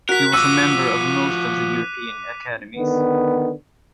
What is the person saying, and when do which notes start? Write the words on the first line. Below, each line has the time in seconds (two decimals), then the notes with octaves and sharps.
He was a member of most of the European academies.
0.09 F#4 A#4 F#6 B6
0.33 F3 F#4 D6 E6 D#7
2.77 D3 D#3 B3